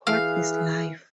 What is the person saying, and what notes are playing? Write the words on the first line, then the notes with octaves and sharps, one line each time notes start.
What Is Life?
E3 G#4 F5